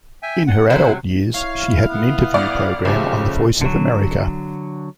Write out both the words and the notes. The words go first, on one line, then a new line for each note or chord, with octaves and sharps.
In her adult years, she had an interview program on the Voice of America.
E5 G5 G#5
F#5
C3 F#3 E4 C5 B5
E4 C#5 F5
B3
G1 D5
F#1 C#3 F3 A3 G4
D3 F#3